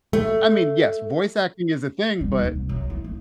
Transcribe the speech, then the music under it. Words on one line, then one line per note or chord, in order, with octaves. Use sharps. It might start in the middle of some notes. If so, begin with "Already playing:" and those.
I mean, yes, voice acting is a thing, but
A3
G3
D#2
C2
F#2
E4
A3